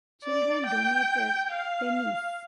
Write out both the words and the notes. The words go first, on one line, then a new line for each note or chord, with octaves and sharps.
Children donated pennies.
D5
G5
F5